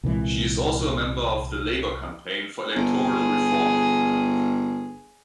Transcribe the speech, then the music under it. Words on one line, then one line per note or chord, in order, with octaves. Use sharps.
She is also a member of the Labour Campaign for Electoral Reform.
C2 A#2 E3 G#3
G1 G#4